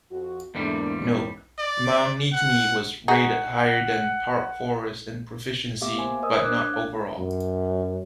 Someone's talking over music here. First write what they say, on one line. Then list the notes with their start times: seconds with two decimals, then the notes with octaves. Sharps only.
Note: Mount Nittany was rated higher than Park Forest in proficiency but not overall.
0.11 F2 F#4
0.55 E2 G#2 G3 A3 A#3 D4
1.02 D#3 C#4
1.59 D5
2.33 F#5
3.08 D#4 F#4 G#4 F#5
5.81 A3 B3 G4 E5 F5 D6
5.96 A#3 C5 G#5 C6
6.22 A#4 C5 D#5 D#6 E6
6.42 D4 D6 E6 F#6 G#6
6.74 F5
7.18 F#2